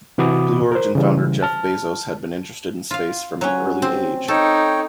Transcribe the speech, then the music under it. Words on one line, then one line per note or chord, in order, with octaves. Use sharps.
Blue Origin founder Jeff Bezos had been interested in space from an early age.
C3 E3 F#4 B5 D6 D#6
A#4 C5
C#3 E3 G3
A5 F6
F4 F5
F#3 C#4
C4
D#4 A4 C#5 G5